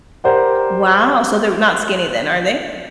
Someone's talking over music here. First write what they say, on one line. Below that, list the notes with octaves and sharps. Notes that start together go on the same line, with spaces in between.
Wow, so, they're not skinny then, are they?
G4 A#4 C5 D5 F#5